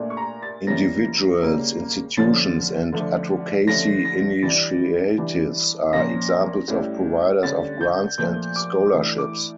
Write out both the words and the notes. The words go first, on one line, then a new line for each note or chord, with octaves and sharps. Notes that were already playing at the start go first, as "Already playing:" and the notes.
Individuals, institutions, and advocacy initiatives are examples of providers of grants and scholarships.
Already playing: A#2 A3 D4
C#6
A#5
A6
E3 G3 A#3 C#4 A#6
C#3 G3 A#3 C#4
D3 F3 C#4 A6
D3 F3 A3 D4
D3 F3 A3 C#4 A#6
A#6
E3 G3 D4 A6
E3 G3 D4
A#2 F3 A#3 C#4 A#6
A2 G3 C#4
D3 G3 C#4 A6
G6
A#2 F3 A3 G6
D6
A2 E3 A3 D4
D6